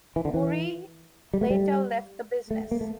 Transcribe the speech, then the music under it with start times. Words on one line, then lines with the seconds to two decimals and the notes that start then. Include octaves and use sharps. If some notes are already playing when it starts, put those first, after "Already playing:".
Murrie later left the business.
0.16 E3
0.25 D3
0.34 E3
1.34 G3
1.41 A3
1.50 G3
2.51 A3
2.71 A#3
2.81 A3